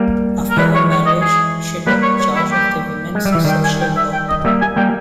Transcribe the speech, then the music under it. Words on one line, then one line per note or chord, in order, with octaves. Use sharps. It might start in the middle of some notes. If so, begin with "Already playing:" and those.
After her marriage she took charge of the women's social work.
Already playing: G3 A#3
A#4
E3 G#3 B4
C#5
C#5
D#5
G#4
G3 A#3 B4
C#5
C#5
E4
G4
G#3
G3
E5
E3
D#3 G3 G5
G#5
G5
E5
G5
D#5
G3 A#3 E5
G#5
G3 A#3 G5